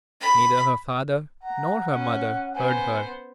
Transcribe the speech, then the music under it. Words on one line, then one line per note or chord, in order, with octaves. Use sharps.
Neither her father nor her mother heard her.
B5
F#5 A#5
C#4
B3 C5 G#5